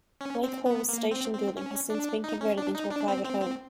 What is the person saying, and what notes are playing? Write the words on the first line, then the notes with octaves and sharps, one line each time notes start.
Blake Hall's station building has since been converted into a private home.
C#4
C4
B3
A#3
C4
C4
C#4
D4
D#4
C#4
D4
D#4
D4
C4
C4
C4